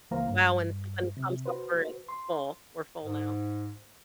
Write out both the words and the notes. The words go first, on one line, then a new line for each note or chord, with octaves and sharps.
well and someone comes over and it's full, "We're full now."
C#2 E3 A#3 C5 F5 A#5
G2
C3
F#4 B4 C5
C6
G#2